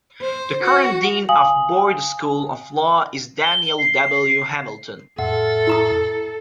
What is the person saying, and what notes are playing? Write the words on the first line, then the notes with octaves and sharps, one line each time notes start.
The current dean of the Boyd School of Law is Daniel W. Hamilton.
C5
F#4
F5 G#5 D#6 F#7
G7
C7
F2 A2 A4 E5 F#5
E4 A#5 D#6